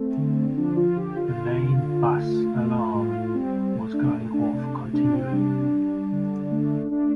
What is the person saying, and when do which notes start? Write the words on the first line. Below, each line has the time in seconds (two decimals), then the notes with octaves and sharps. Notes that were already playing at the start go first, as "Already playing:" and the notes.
The main buss alarm was going off continually.
Already playing: A3 C4
0.17 D3
0.57 F3 D4
0.77 F4
0.96 D3 G4
1.16 F4
1.36 D3
1.76 D3
2.15 A3
2.55 A3
2.94 A2 F4
3.34 G3 C4
3.74 A3
3.93 D4
4.13 A3
4.33 D4
4.53 C3 D4
4.93 C3 D4
5.12 C4
5.32 G3 D4
5.72 G3
6.12 D3
6.51 A3
6.91 A3 D4